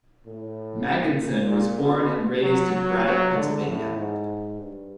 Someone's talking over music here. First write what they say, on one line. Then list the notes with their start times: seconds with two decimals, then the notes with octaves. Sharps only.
Magidson was born and raised in Braddock, Pennsylvania.
0.26 A2
0.88 A#2
1.50 A#2
1.80 B2
2.42 F#3
2.73 F#3
3.04 F#3
3.35 D3
3.66 A2
3.97 G#2
4.59 G2